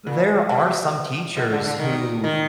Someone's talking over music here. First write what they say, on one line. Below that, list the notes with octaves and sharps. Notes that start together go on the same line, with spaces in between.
there are some teachers who
A#2
B2
B2
D3
D3
D#3
D#3